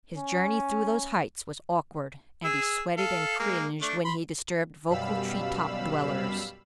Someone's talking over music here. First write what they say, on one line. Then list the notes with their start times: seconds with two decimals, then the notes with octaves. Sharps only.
His journey through those heights was awkward and he sweated and cringed when he disturbed vocal treetop dwellers.
0.17 C#4
2.44 G#4 E6
2.98 A4 F5
3.39 G#3 A#3
3.82 A3 D4
4.04 B5 C6
4.89 F#2 B2 G3 F5 B5 E6